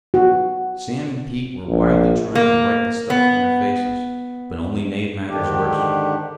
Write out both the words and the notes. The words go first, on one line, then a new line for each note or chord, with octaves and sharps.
Sam and Pete were wildly trying to wipe the stuff from their faces, but only made matters worse.
F#4
A#1
A#3
B3
G#2 D3 D#3 D4 G4